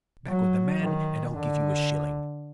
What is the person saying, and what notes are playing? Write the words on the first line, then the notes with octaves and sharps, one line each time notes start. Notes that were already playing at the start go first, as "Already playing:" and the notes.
Come back with the man, and I'll give you a shilling.
F#3
D#3
D3